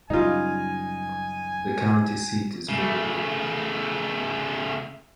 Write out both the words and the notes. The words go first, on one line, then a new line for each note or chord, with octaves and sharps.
The county seat is Meridian.
F#2 C#3 G3 D#4 F4 G#5
C#3 A3